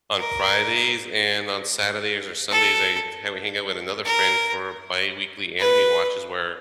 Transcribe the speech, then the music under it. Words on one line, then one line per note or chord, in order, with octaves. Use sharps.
on Fridays, and on Saturdays, or Sundays, I ha we hang out with another friend for biweekly anime watches where
A#4
A4
A#4
B4